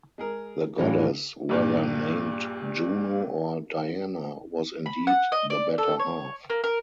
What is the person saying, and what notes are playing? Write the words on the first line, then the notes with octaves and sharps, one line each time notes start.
The goddess, whether named Juno or Diana, was indeed the better half.
G#3 G#4 A#4
A2 E3 G3 D4 F4
A#1 G2 A#2
B5
F#5
D#5
D5
A4
C#5
A#3
A#4